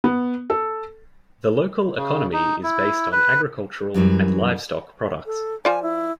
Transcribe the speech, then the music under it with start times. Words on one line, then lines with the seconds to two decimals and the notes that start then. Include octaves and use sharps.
The local economy is based on agricultural and livestock products.
0.04 B3
0.50 A4
1.96 C#3
2.33 D#4
2.63 E4
3.12 B4
3.94 F#2 E3 F#3 G3
5.26 A4
5.65 F3 F4 D5 G#5
5.83 E4